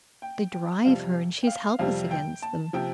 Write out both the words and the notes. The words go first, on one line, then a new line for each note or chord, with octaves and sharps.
They drive her, and she is helpless against them.
G5
G5
F2 C3 G3 F5
G5
F5
F2 C3 G3 F5
G5
A5
C3 F3 G5